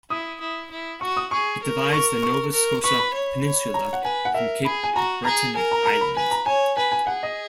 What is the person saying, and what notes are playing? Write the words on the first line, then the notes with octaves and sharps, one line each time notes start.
It divides the Nova Scotia peninsula from Cape Breton Island.
E4 D#6
E4
E4
F#4 C#6
D#6
G#4 C#6
A#4
C#6
C#6
A#4
B4 C#6
B5
C#5
C#5
A#5
F#5
B4 G#5
F#5
A#4 E5
G#4 B5
G#5
F#4 A#5
G#4 A#5
A#4 G#5
A#5
A#5
B5
B4 G#5
A#5
C#5 G#5
B4 G#5
G#5
G#4 F#5
D#5